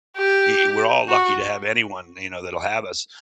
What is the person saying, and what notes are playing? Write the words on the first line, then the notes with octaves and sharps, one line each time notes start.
y we're all lucky to have anyone, you know, that'll have us.
G4
F#4